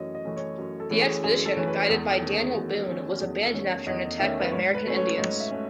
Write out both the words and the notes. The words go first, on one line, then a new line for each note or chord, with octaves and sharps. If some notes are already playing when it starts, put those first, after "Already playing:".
The expedition, guided by Daniel Boone, was abandoned after an attack by American Indians.
Already playing: F#2 E3 A3 C#4 C#5 D#5
D#5
E3 A3 C#4
C#5
F#2
A4
E3 A3 C#4
G#4
F#2 G#4
A4
E3 A3 C#4
B4
E2 A4
A4
D#3 A3 C#4
G#4
E2 F#4
D#3 A3 C#4
F#4
E2 G#4
A4
D#3 A3 C#4
C#5
E2 D#5
D#3 A3 C#4 E5
B4
G#2 C#5
B4
F#3 A3 C#4
C#5
G#2 D#5
E5
A3 C#4